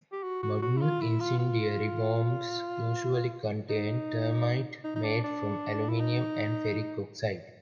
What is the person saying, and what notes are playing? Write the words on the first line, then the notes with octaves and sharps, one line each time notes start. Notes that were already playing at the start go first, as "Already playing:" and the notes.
Modern incendiary bombs usually contain thermite, made from aluminium and ferric oxide.
G4
F#4
F#4
F#4
E4
F4
E4
F4
F4
D#4
D#4
D#4
D4
D4
E4
D#4